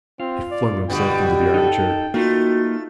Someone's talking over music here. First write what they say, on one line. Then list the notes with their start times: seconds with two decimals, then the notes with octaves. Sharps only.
He flung himself into the armchair.
0.20 C4 F4
0.51 D5
0.90 B2 D3 G3 G5
1.54 D#4 A4
2.14 A3 A#3 D#4 F4 F#4